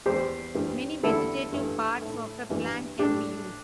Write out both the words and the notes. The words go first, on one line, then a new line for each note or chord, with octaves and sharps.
Many vegetative parts of a plant can be used.
E2 E3 G3 G4 C5
G2 E3 G3
E2 D3 G3 E4 A4
G2 E3 A3
A2 A3
G2 E3 G3
A2 A3 D4 G4